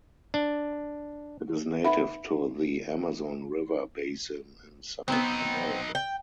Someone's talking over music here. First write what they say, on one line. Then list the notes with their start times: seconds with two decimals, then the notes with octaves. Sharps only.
It is native to the Amazon River basin in South America.
0.34 D4
1.84 D#4 B4 E5 F#5 B5
5.08 F#3 B3 C4 D#4
5.95 G5